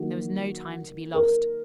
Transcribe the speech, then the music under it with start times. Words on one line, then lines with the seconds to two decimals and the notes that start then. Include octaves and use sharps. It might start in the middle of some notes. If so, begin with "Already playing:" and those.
There was no time to be lost.
Already playing: D#3 F#3 A#3 F#4
1.14 A#4